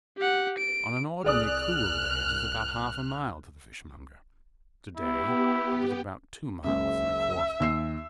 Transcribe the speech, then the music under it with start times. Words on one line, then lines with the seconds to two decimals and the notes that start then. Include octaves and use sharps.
On an ordinary cool day it is about half a mile to the fishmonger; to-day it was about two miles and a quarter.
0.18 G4 F#5
0.58 D7
1.24 C2 G#4 D5 D#6 F6 F#6
4.96 B3 E4 G4
6.64 F#1 C#2 F#2 E5
7.60 D#2 E6 C7